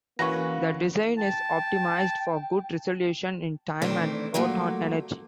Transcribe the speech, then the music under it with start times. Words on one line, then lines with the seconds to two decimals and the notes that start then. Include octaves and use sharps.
The design is optimized for good resolution in time and photon energy.
0.19 E3 A#3 C#4 F#4 B4 C#6 A#6
1.18 G5 A5
3.82 D#3 E3 A3 C4 D4 E4
4.34 F3 F#3 A3 A#3